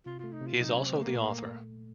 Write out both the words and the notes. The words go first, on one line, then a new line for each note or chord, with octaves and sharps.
He is also the author.
C3 F4
A3 F4
D#4
C3
F4
F#3 D#4
C3 C#4
C4
A3 A#3
A#2